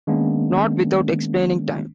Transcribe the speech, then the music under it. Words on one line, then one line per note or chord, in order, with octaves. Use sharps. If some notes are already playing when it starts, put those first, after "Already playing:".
Not without explaining time.
D#3 G#3 A#3 B3 C#4 D4